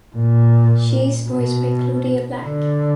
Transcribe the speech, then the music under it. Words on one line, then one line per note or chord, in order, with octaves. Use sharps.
She is voiced by Claudia Black.
A#2
B2
D3